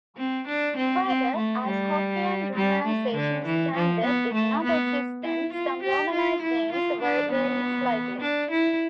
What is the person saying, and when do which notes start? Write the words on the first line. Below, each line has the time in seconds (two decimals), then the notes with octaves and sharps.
Further, as Hokkien romanization standard did not exist then, some romanized names varied slightly.
0.17 C4
0.47 D4
0.77 C4
1.07 C4
1.36 A3
1.66 G3
2.55 G3
2.85 A3
3.14 D3
3.45 E3
3.75 F3
4.04 B3
4.34 A3
4.64 B3
5.23 E4
5.53 F4
5.83 G4
6.12 F4
6.42 E4
6.72 F4
7.02 D4
7.32 B3
8.20 D4
8.51 E4